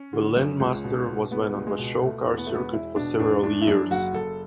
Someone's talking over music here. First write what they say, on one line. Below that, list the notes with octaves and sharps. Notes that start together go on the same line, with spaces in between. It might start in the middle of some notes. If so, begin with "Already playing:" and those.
The Landmaster was then on the show car circuit for several years.
Already playing: C#4
D3
F#2
C#2
B2
B2
C#2 B3
C#2
G#3
B2
B2 A3
E2
B3
E1 A3
B3
E1 E4
B2 D4
E2 D4
E3 D4
E4
F#2 D4
F#1 F#4
F#1 A4